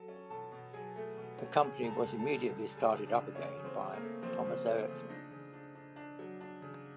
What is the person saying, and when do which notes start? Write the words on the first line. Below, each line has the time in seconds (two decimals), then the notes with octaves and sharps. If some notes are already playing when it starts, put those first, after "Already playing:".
The company was immediately started up again by Thomas Eriksson.
Already playing: F#3 A4 A5
0.08 C#4
0.30 B2 A4 A5
0.52 B2
0.73 F#3 G#4 G#5
0.96 A3
1.18 B2
1.39 C#4
1.61 C#3 G#4 G#5
1.82 C#2 A#5
1.90 A4 A5
2.05 C#2
2.19 A4 A5
2.26 G3
2.48 C#2 A4 A5
2.69 G3
2.77 G#4 G#5
2.92 C#3
3.06 D4 D5
3.14 C#3
3.35 C#3 C#4 C#5
3.57 C#3
3.64 C4 C5
3.79 C#3
3.93 A#3 A#4
4.01 A3
4.22 F3 C4 C5
4.45 C#3
4.66 A3
4.88 C#3
5.09 D4 D#4 D#5
5.31 C#3
5.53 D4
5.75 D4
5.96 D4
6.19 F#3
6.41 D4
6.62 C#3